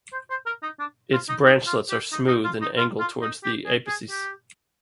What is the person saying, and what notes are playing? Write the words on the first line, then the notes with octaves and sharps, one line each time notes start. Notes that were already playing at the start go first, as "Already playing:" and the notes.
Its branchlets are smooth and angle towards the apices.
C5
C5
A#4
D#4
D4
F4
D#4
D#4
F4
G4
D#4
D#4
F4
D#4
F4
F4
D#4
G4
G#4
G#4
G4